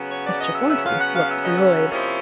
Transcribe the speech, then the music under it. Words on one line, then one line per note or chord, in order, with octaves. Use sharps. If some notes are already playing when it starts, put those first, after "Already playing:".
Mr. Thornton looked annoyed.
Already playing: C#3 F#3 B3
C#5
D5
D#5
E5
E5
F5
F#5
F5
E5
D#5
E5
C3 F3 A#3 C#4 E4 D#5